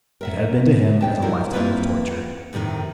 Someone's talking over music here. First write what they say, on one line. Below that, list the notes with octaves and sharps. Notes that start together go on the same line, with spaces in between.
It had been to him as a lifetime of torture.
A#4 E5 F#5
D2 G5 A5
F2 G3 E4 A#4
A#3 C4 D4 E4 F4 B4
F#5
F2 A2 C3 D#3